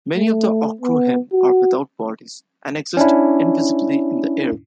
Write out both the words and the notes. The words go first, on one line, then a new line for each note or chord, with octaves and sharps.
Many of the Ogdru Hem are without bodies and exist, invisibly, in the air.
A3
B3
F#4
C#4 D4 E4